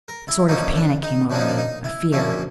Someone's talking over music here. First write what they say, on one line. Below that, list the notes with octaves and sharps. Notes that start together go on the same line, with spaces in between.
A sort of panic came over me, a fear.
A#4
E4
F#2 D3 F3 A#3 C#4 D#4
D4
D#4
F#2 D3 F3 A#3 C#4 D4
D#4
D4
D#4
E4
F#2 D3 F3 A#3 C#4 E4